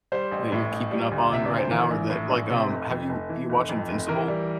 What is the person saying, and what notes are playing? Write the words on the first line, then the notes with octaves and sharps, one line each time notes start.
that you're keeping up on right now or that like, um have you do you watch Invincible?
G3 C5
A1
A2
A1
G3
D2
C3 E5
D2 D5
C5
E3 A#4
A#1
A2
A#1
C3
F1
F2
F1
E3
F1
F2
F1
E3 A#4
G3